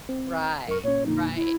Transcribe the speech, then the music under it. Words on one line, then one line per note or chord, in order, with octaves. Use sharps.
Right, right.
C4
F#2 A#4 C#6
A#2 C#4 C#5
F2 A#2 D3 D#4
E4